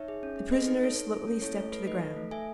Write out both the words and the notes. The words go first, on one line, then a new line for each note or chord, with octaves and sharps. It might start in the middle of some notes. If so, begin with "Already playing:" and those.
The prisoner slowly stepped to the ground.
Already playing: D#4 C#5 E5
G#4
C#4
G#4
A4 B4 D#5
D#4 B4
D#4 A4 C#5
A4
A4
C#4
E4 A4 C#5
A3 A4
A4 B4
D#4 B4 D#5
A4
A3
A4 E5 G#5